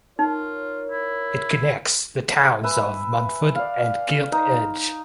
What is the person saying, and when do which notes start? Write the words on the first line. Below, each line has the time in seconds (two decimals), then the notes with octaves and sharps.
It connects the towns of Munford and Gilt Edge.
0.19 D#4 F4 A#4 C#5
0.89 E4
2.63 B4 E5 G#5
3.56 D5 F5
4.32 D#4